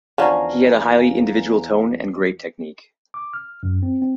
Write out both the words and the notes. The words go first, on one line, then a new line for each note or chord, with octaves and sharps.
He had a highly individual tone and great technique.
E2 D3 F3 C#4 F5 G#5 A#5
D6
F6
F#2
C4
C4